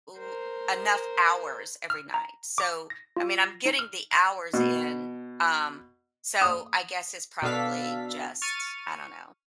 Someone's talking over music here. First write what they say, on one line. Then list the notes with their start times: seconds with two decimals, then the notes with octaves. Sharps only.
l enough hours every night. So, I mean, I'm getting the hours in, um, so I guess it's probably just, I don't know.
0.18 A#4 C5
1.90 F6
2.14 A#5
2.58 D6
2.90 A#6
3.16 F4
3.45 A#6
3.65 D#4
3.79 F6
4.13 A#6
4.54 B2
6.42 D#6
7.42 B2 D4 A4 F5 B6
8.42 C#6 F6 A6 D#7